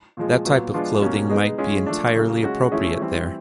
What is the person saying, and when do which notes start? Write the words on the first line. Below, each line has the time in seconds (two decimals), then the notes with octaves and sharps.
That type of clothing might be entirely appropriate there.
0.17 A#2 F3 G#3
0.45 A#2 F#3 B3
0.74 F3 G#3 B3 D4 F4
1.01 B2 G3 A#3 C#4
1.30 G#3 B3 D#4 G#4
1.58 G#3 C#4 F4 G#4
1.86 F3 A3 D4
2.15 C#3 F#3 A#3
2.43 G#3 C#4 F#4
2.71 F3 A3 C#4 E4 G#4
2.99 E3 G3 C4 E4